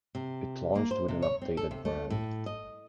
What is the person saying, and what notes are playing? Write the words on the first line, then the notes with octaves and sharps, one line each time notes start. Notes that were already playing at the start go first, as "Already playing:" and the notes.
It launched with an updated brand.
C3
A#3
C5
C3
C#5
C4
A4
C3
A3
A2
D#5